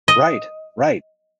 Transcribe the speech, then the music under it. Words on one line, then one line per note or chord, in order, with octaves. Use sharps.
Right, right.
D#5